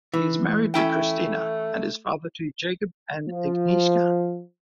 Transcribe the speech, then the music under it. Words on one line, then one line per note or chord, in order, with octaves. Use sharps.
He is married to Krystyna and is father to Jakub and Agnieszka.
E3
A3 C#4 E4 G5
F3